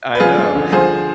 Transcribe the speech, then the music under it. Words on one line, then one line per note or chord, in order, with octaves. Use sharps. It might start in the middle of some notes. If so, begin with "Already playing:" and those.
I know.
B4
F3 F4 G#4
F3
D3
F3 G#4 C5